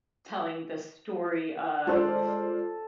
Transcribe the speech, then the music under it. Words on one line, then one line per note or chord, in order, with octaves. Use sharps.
telling the story of
G#3 F4 A4 C5 D5